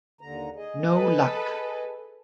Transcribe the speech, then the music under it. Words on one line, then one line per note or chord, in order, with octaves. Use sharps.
No luck!
D#2 D3 A#5
G#4 D#5
A4 B4